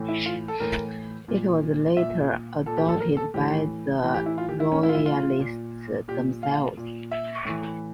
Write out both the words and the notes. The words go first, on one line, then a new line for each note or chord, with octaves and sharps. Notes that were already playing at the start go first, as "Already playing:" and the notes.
It was later adopted by the Royalists themselves.
Already playing: A2 E3
E4
F4
A4
A2 E3 A#4
A#2
A#2 E5
A#2 A4
G4
A4
A#4
A4
A2 E3 G4
A2 E3
G4
E4
F4
G4
E4
A2 E3 C#4
E4
F4
E4
F4
A#2
A#2 G4
F5
A#2
E5
A2 E3